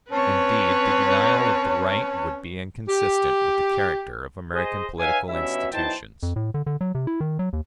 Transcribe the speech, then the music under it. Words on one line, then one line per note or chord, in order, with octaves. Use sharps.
Indeed, the denial of the right would be inconsistent with the character of American political institutions.
C4 C#4 B4 C#5 A5
G4
G#4 C5 D#5
D#4 B4 C#5 E5 F5 G#5
G2 B2 C#4 E4 E5
B1 D#4 E4 C5 G5 A5
F2
A2
D3
D3
F#3
C3
E4
D#3
F#3
D#2